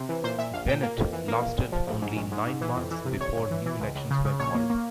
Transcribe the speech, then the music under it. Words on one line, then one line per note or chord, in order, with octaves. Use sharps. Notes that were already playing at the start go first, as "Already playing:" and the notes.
Bennett lasted only nine months before new elections were called.
Already playing: C3
E3
A#2 C5
A#2 E5
A#1 F5
A#2 G5
A#3
F2
E3
A#3
A#1
A#1
F3
A#1
G#2
A#1
G#2
G#2
E3
F2
E3
C3
G1 C#5
G1
E3
E3
C#2
C#2
C#3
C#3
A#1 C#5
A#3
A#3